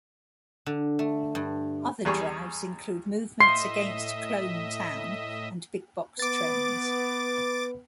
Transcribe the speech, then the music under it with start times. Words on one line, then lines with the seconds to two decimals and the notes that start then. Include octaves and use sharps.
Other drives include movements against Clone town and Big-box trends.
0.66 D3
0.99 A3
1.35 G2
2.05 E2 G3 G#4 C#6
3.40 A2 D#5 E5 C6 C7
6.20 B3 B4 D6 A6